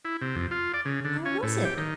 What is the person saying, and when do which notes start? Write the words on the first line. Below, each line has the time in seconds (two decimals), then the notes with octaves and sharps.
How was it?
0.05 E4
0.21 C3
0.36 F2
0.51 F4
0.74 D5
0.85 C#3
1.05 D3
1.25 C#4
1.43 A2
1.65 G4
1.77 D#3